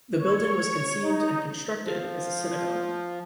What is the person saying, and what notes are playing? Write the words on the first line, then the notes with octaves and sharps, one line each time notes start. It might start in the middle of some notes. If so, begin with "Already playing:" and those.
The building was conceived and constructed as a synagogue.
C#5
D#4
F3